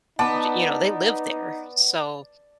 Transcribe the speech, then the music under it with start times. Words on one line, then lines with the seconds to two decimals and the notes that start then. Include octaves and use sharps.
j you know, they live there, so
0.19 B3 D#4 D5 A5